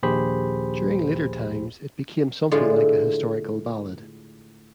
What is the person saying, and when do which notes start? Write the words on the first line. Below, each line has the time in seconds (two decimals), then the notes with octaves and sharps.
During later times, it became something like a historical ballad.
0.03 A#1 D#2 G4 G#4 C5 B5
2.51 A2 D3 G#3 F4